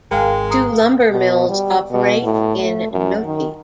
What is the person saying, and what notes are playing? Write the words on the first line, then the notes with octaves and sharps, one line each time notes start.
Two lumber mills operate in Noti.
G#1 G#3 A#4 F5 G5 G#5
A#5 D#6
B2
G3
B2
A2
A3
F#2
D#3